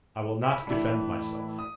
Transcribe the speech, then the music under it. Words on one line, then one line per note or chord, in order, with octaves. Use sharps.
I will not defend myself.
E4
A2 E3 D4 E4
D#6